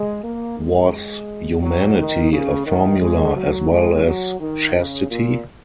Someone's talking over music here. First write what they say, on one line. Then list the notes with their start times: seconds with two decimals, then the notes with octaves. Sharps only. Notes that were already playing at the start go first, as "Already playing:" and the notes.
Was humanity a formula as well as chastity?
Already playing: G#3
0.23 A#3
0.59 G#3
1.62 F#3
1.97 D#3
2.31 C#3
2.66 D#3
3.01 G#3
3.35 F#3
3.70 G#3
4.05 F#3
4.39 D#3
4.74 C#3
5.09 A#2